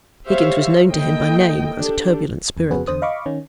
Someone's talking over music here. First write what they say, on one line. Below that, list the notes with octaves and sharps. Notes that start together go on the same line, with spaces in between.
Higgins was known to him by name as a turbulent spirit.
G4 C5 C#5 E5 F5
A#3 E4 A4 D#5 G5
D4 G4 A4
E2
F2 C#3 B3 F#4 G#4 B4
E2 D3 C5 D#6
D#5 F5 B5 C#6 D6
D#3 C#4